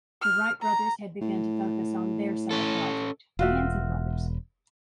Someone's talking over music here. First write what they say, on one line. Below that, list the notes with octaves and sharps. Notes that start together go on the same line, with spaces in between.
The Wright brothers had begun to focus on their side project, The Hanson Brothers.
F6
A#5
A2
C#4 A4
E1 F4 F#4 E5